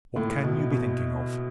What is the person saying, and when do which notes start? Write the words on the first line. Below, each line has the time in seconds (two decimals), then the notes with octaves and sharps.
What can you be thinking of?
0.16 A2
0.44 B2
0.71 B2